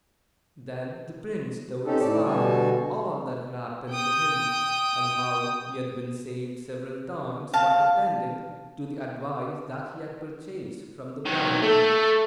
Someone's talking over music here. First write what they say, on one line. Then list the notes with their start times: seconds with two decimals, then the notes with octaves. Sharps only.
Then the prince told his father all that had happened to him, and how he had been saved several times by attending to the advice that he had purchased from the Brahmani.
1.86 C4 C#4 D#4 G4 A4
2.01 A2 D5 A5
2.25 B2 D3 G3 F#4 G#5 A5
3.91 G5 D#6
7.53 F5 A5
11.25 D#3 F#3
11.62 A3 A4